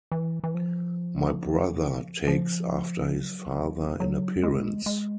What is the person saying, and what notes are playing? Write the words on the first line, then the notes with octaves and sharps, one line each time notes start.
My brother takes after his father in appearance.
E3
E3
F3
F3
F#3
F#3
G#3
G#3